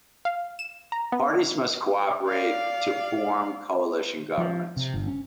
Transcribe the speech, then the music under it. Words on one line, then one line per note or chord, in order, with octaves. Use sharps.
Parties must cooperate to form coalition governments.
F5
E7
A#5
B3
D5 F5
F3
C3
G1
C#4